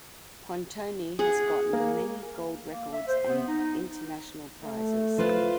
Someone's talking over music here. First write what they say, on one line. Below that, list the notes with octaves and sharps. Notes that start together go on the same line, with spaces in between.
Pontoni has gotten many gold records and international prizes.
G#4 F#5
A#3
A#3
E5
C5
B3
D#4
A3
F4 B4 C5